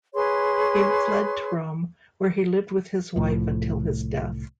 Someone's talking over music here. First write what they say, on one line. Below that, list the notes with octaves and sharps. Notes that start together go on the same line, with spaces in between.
He fled to Rome, where he lived with his wife until his death.
G#4 B4 C#5 C6
C2 A2 F3